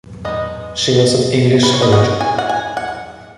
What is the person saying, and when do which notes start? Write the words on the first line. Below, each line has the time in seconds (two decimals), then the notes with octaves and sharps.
She was of English origin.
0.25 G#3 B3 D#4 D#5
1.63 B4
1.73 C#5
1.82 D#5
1.92 G#3 C#4 F#5
2.21 G#5
2.38 F#5
2.49 G#5
2.77 F#5